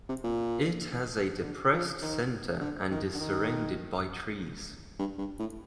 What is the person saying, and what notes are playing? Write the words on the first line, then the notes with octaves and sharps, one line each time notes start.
It has a depressed centre and is surrounded by trees.
C3
A#2
D3
F3
D#3
D3
D#3
D3
D#3
G2
G2
A2